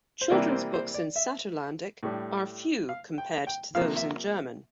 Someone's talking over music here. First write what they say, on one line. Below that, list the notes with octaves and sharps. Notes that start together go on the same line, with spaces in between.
Children's books in Saterlandic are few compared to those in German.
C5
C3 E3 G3 A#3 D4 D5
D5
C5
C5
D5
E5
A2 G3 D4
F5
G5
G5
C3 F3 A#3 F5
E5